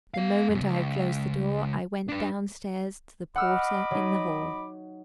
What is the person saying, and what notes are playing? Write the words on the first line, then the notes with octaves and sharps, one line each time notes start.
The moment I had closed the door, I went downstairs to the porter in the hall.
B3 F5
F#2 B2
C#2
D4 B4
D#5 F#5 B5 D6 E6 F6
F#3 D#4